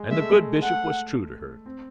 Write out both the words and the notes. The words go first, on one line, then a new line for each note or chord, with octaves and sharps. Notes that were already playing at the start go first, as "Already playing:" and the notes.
And the good Bishop was true to her.
Already playing: G#3
G#3 E5
A3
G#3
A3 F#5
C4